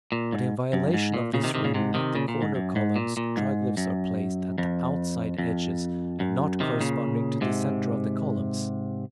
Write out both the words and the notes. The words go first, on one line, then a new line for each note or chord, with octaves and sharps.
But in violation of this rule, at the corner columns triglyphs are placed at the outside edges and not corresponding to the centre of the columns.
A#2
G#2
F#2
G#2
A#2
A#2 C#3
C3 D#3
C3 D#3
A#2 C#3
G#2 C3
C3 D#3
A#2 C#3
A#2
G#2
F#2
G#2
A#2
A#2
G#2
F#2
F2
F2
F#2
C3 D#3
A#2 C#3
G#2 C3